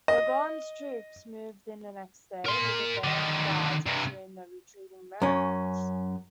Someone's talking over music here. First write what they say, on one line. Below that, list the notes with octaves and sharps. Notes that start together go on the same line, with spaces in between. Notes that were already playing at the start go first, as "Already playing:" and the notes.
Burgoyne's troops moved in the next day, with advance guards pursuing the retreating Americans.
D#5
A#4 C6
D3 D#3
G2 C3
F#2 C#4